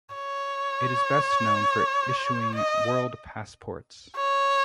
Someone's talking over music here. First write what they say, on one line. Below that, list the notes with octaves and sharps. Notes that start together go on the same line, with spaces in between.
It is best known for issuing World Passports.
C#5
D#5
C#5